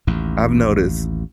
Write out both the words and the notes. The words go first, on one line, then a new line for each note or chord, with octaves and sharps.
I've noticed
A1 D#2